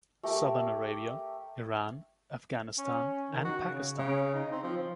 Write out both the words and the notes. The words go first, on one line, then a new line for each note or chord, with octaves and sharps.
Southern Arabia, Iran, Afghanistan and Pakistan.
A3 G4 A#4
C#4
D#3
F#4
C#3
C#3
D#4
C4
F3
F3